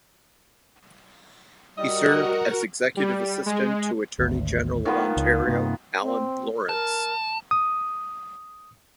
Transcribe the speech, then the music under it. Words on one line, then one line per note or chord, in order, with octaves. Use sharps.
He served as executive assistant to Attorney General of Ontario Allan Lawrence.
G3 F#4 A#4 D#5 F#5
G3
G#3
G#1 D2
D#3 F3 B3
C#2
G2 C3 A#3
C4
A#4 A5
D#6